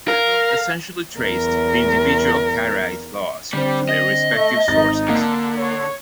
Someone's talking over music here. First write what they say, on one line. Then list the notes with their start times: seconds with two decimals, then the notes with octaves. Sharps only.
Revel essentially traced the individual Karaite laws to their respective sources.
0.08 A#4 F5
1.18 E2 A#4
3.53 D3 G3 C4
3.89 D#5
4.30 A3
4.68 G#1 D#4 A6
5.08 D3 A#3
5.58 C#5